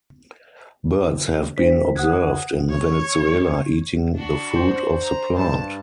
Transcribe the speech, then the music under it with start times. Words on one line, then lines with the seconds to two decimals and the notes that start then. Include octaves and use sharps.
Birds have been observed in Venezuela eating the fruit of the plant.
1.57 D4 C5 B6
1.96 F#5 D#6 F#6 G#6
2.70 C#5
4.15 D4 F#4
4.56 C5
5.02 A#5
5.37 G2 A5